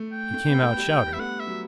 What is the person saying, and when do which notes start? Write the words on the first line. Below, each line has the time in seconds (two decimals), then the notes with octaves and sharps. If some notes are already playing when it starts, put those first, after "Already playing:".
He came out shouting.
Already playing: A3
0.12 G5
0.34 A3
0.48 B3
0.62 A3
0.77 G3
1.13 B3 E5
1.19 A3 F#5
1.40 E5
1.47 F#3